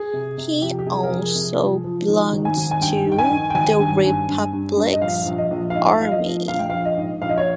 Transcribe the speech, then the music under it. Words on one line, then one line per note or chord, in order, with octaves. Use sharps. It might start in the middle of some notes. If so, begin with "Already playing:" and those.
He also belongs to the Republics army.
Already playing: G#4
C3
C3
F3 G4
G4
C3 G#4
A#4
F2 G#4
C3
F3
F3
D#3
G#1
G#5
G#1
G#5
G2 G5
D#3
G5
G#5
D#3
G5
G#1 G#5
G2
G2
G2
G2
G2
D#5
A#1 F5
A#1
D#5
A#1
F5
G#2 D#5
F3 F5
D#5
F3
A#1 F5
G5
A#1 F5
D#5
G#2
A#1 F5
D#5
C#5